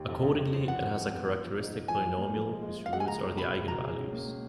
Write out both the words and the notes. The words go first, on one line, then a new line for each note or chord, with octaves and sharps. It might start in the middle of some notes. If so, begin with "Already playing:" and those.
Accordingly, it has a characteristic polynomial, whose roots are the eigenvalues.
Already playing: D#2
F2
F2
F2
F3
F3 F#5
F2
F3
B3
F3
F3
D#4
D#4
F3 G#5
F3
A#3
F3
G#3
G#3
G#3
F5
G#3 F#5
G#5
C#2 A#5
C#2
B2 B5
C#2
B2 A#5
G#4
C#4
A#3
A#3